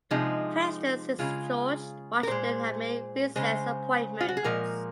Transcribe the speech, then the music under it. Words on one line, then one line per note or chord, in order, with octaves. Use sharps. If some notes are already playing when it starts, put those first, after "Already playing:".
Presidents since George Washington have made recess appointments.
C3 F3 G#3 D#4
C#3 G#3 F4
A#4
A#2 G#3 C5
C#3 G#3 C5
F4
F#4
G#4
A#2 F3 G#3 A#4